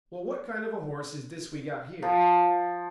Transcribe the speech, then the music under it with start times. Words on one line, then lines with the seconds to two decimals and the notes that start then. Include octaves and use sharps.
Well, what kind of a horse is this we got here?
2.02 F3